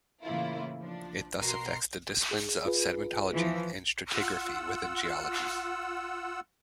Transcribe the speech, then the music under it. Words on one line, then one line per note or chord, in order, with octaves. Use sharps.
It thus affects the disciplines of sedimentology and stratigraphy within geology.
A2 C#3 E3 A#3 E4 F4
F3 D4
B2 F#4 A#4 A#5 C6 C7
G#4
F4 G#4 B4
E3 F3
F4 F#5 E6